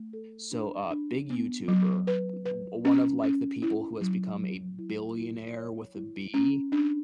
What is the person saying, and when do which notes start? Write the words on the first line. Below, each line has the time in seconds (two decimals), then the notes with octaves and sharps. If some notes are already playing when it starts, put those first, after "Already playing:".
So, a big YouTuber, b b one of, like, the people who has become a billionaire with a B,
Already playing: A3
0.13 A4
0.52 D4
0.91 D4
1.30 B3
1.68 F#3
2.07 B4
2.45 B4
2.85 C#4
3.23 C#4
3.62 E4
4.01 F#3
4.40 F#3
4.79 E4
5.17 E4
5.56 C#5
5.95 E4
6.34 C#4
6.72 D4